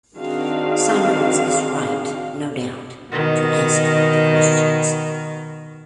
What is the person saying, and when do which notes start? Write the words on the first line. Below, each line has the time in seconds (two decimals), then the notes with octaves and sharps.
Symonds is right, no doubt, to ask the questions.
0.18 D#3 C4 D4 F#4 G#4 F5
3.11 B2 D#3